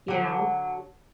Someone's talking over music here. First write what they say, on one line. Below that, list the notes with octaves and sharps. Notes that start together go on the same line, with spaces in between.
you know,
D3 F#3